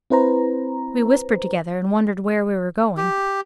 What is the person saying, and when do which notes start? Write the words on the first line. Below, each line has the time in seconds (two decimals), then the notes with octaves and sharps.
We whispered together and wondered where we were going.
0.10 C4 E4 B4 C5 A#5
2.97 G4